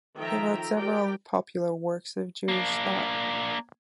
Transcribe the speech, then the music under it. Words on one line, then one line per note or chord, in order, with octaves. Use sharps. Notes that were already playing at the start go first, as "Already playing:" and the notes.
He wrote several popular works of Jewish thought.
D#3 F3 A4 E5 G5 A#5
G4 A#4 D5 G5
A#3 D4